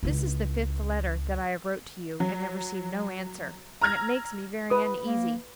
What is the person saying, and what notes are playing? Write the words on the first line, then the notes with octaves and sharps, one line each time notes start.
This is the fifth letter that I have wrote to you, and have received no answer, and it makes me very uneasy.
C#2 E4
F#3
A#5 E6 F6 G#6 A#6
B4 D#6
A#3